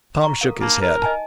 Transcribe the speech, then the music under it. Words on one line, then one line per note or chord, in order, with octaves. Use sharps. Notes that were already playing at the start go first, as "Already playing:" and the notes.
Tom shook his head.
A#5 C#6
A4 A#4 F5
A#3 D#4 B5
A#4
D#5 G#5 A5